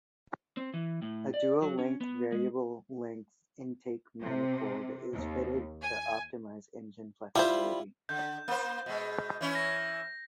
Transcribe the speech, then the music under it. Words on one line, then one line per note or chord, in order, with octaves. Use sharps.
A dual-length Variable Length Intake Manifold is fitted to optimise engine flexibility.
C4
E3
A2
D5
F#3
C#4
B3
G#3
C3
D#2
G#5
G3 E4 F4 C5 E5
D3 G6
A#3 C5
B2 G#3
E3 C#4 E4
A#6